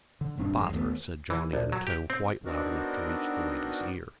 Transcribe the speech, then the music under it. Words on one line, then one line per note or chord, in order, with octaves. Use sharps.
"Bother!" said Johnny, in a tone quite loud enough to reach the lady's ear.
D3
D#1 G2 C4 D4
G#1 F#2 G#3
D#2 A3 B3
E3
A#1
F#3
G4
C4
B3 C4 D4 D#4 F#4 A#4